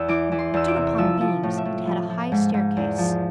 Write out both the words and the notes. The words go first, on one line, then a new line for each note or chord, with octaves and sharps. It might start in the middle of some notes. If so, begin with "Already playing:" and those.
It stood upon beams, and had a high staircase.
Already playing: E2 E6
E3 D6
E3
C6
E2 E6
D6
C3
F3 E6
F3
D6
A2
E5
A2
F3
F3
G#2
G#2
E2
F3